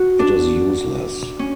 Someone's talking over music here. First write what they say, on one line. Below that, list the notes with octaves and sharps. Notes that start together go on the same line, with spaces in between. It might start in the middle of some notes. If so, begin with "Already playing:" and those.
It is useless.
Already playing: F#4
D4
C#4